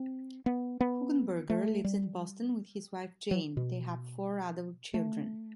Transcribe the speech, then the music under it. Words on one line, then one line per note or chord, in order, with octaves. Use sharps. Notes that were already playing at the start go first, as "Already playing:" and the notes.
Hugenberger lives in Boston with his wife Jane; they have four adult children.
Already playing: C4
B3
B3
A3
G3
F#3
B2
A3